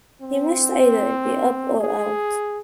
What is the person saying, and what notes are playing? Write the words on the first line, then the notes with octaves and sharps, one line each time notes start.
He must either be up or out.
C4
G#4